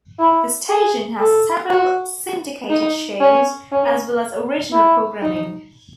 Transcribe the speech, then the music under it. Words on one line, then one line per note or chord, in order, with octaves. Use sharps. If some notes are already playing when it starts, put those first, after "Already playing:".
The station has several syndicated shows as well as original programming.
E4
G#4
A4
F#4
D#4
C#4
C#4
E4
D#4